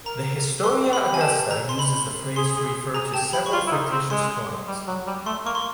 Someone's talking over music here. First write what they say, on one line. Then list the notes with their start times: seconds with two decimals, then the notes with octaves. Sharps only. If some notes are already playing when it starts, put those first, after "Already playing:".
The Historia Augusta uses the phrase to refer to several fictitious coins.
0.06 A#4 A#5
0.64 B4 C6
0.83 G4
0.93 B5
1.02 G4
1.14 G#5
1.21 A5
1.39 A5
1.51 A#5
1.69 C6
1.79 B5
2.36 G#4 C6
2.56 G#4
2.94 G#4 A#5
3.14 G4 A5
3.33 G4 B5
3.46 C#6
3.53 F4 C6
3.67 E4
3.72 D#4
3.91 C4
4.10 G#3 C6
4.68 G3
4.87 F#3
5.07 G3
5.26 A3 C6
5.45 A#3 C#6
5.55 C6